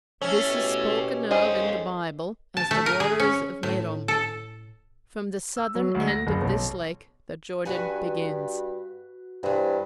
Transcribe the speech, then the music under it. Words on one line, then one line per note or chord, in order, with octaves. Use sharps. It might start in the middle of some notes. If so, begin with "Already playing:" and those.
This is spoken of in the Bible as "the waters of Merom." From the southern end of this lake the Jordan begins.
A3 C#4 E4
B2 G4
F2 D#3 G#3 F4 G#4 C5 D#5 G#5
A5
A3
A#4
G#4
C#4
A2
A4
E6
F#3
D2
A#6
F#1
B1
G2 F#4 B4 G#5
G2 E3 C5